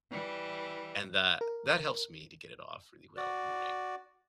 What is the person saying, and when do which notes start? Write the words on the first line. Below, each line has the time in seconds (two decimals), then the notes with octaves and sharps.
and that, that helps me to get it off really well in the morning.
0.11 E3 G3
1.41 A#4
3.16 F#4 D5